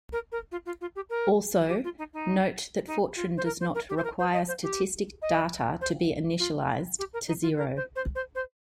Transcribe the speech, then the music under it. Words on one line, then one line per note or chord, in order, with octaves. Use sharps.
Also, note that Fortran does not require static data to be initialized to zero.
A#4
A#4
F4
F4
F4
G4
A#4
G4
F4
D#4
D#4
D#4
F4
C5
A#4
C5
A#4
G4
C5
A#4
C5
D#5
C5
G4
D#5
C5
F4
G4
A#4
D#4
F4
A#4
C5
C5
C5
C5